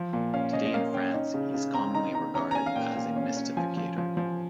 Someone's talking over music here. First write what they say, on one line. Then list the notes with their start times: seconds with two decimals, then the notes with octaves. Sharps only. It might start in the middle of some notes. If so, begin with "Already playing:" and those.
Today in France he is commonly regarded as a mystificator.
Already playing: F3
0.13 A#2
0.34 C#4 F5
0.53 C#4 D#5
0.65 D#5
0.74 A#3 F5
0.94 C#4 G5
1.14 D#4
1.34 C#3
1.54 C#3
1.74 C4 A#5
1.95 D#4 A#5
2.15 D#4 A#5
2.35 C#4 A#5
2.51 A#5
2.55 C#4 G#5
2.66 F5
2.75 A#2 G5
2.96 A#2
3.16 C#4
3.37 C#4
3.57 F3 G#5
3.77 F3
3.98 F3
4.17 F3